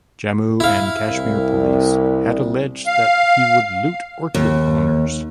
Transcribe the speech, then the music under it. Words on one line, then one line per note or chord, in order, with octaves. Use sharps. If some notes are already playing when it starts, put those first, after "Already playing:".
Jammu and Kashmir Police had alleged that he would "loot orchard owners".
E4 F5
C2
F5
D#2